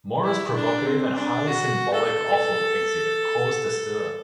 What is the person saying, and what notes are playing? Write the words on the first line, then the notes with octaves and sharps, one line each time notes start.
Mora's provocative and highly symbolic offal exhibit caused a stir.
E4
D4
C4
D4
F#4
A4